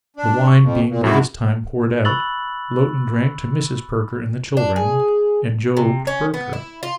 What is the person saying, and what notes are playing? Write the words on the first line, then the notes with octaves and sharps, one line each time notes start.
The wine being by this time poured out, Lowten drank to Mrs. Perker and the children, and Job to Perker.
D4
C#6
F2
A#2
F2 G#2 E4 F#4
B5 C#6 E6 F#6 A6 F#7
D4
G#4
C3
C#4
B3
E4
F4